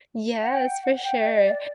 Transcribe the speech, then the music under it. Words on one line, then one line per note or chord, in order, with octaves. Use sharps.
Yes, for sure,
F#5
G5
F#5
G5
D#5
D5